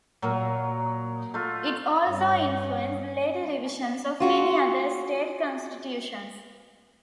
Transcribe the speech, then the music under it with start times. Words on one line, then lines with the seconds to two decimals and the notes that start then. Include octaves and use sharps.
It also influenced later revisions of many other state constitutions.
0.22 A#2 F#3 A#3 A#4
1.34 A3 F4
2.04 G2 C#4
4.20 F4 F#4 G#4